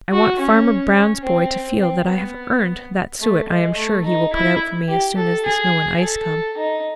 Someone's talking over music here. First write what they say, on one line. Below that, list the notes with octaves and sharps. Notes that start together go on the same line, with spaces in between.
I want Farmer Brown's boy to feel that I have earned that suet I am sure he will put out for me as soon as the snow and ice come.
F#4
C#4
C#4
C4
C4
B3
A3
G#3
A3
D#4
E4
G4
A4
G#4
A4
D#4